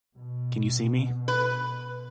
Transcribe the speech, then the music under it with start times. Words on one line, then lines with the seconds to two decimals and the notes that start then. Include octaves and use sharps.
Can you see me?
0.15 B2
1.28 B4